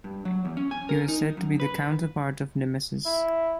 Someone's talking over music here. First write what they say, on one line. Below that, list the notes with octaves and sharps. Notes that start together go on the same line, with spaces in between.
He was said to be the counterpart of Nemesis.
G2
F#3
E2
C#4
G#5
A#4
D#4
F#2
B4
E4